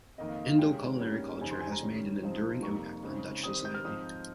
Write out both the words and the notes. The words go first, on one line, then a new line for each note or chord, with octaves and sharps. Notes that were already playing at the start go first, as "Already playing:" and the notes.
Indo culinary culture has made an enduring impact on Dutch society.
F2 D#3 A#3 D#5
F5
D#5
F5
C3 D#3 G#3 C#4 G5
G#2 G3 A#3 C#4
F2 C#3 G3 C4 D#4 G#5
C6
G#5
A#5
D#3 G3 C#4
C3 F3 C4 D#4
F2 C3 G3 A#3 D#4 C#6
C#3 G#3 C4 D#4
D#3 G3 C4 D#4 D#6
G6
F6
G#2 F3 C4 D#4 D#6